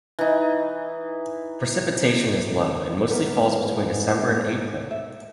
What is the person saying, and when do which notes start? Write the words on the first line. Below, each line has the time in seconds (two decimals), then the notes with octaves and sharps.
Precipitation is low, and mostly falls between December and April.
0.19 E3 D#4
3.09 E2 G#2 B3 A#4
4.91 E5